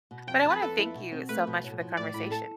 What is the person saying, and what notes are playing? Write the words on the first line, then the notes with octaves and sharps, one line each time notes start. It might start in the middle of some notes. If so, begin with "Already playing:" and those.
But I wanna thank you so much for the conversation.
B2
F2 G5
A5
F2
B4
F2 A4
E4
B2
C4
A3 B4
B2
A2
F3
A2 D5
A2 B5
A4 A5